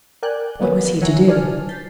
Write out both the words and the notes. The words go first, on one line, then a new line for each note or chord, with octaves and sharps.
What was he to do?
A#4 D5 G5 G#5 F#6 G6
D#3 A#3 B3 C#4 B4
C#5 E5 F#5 G#5 A#5
D#3 D5 G#5 A5 F6
G6 A6 B6 C7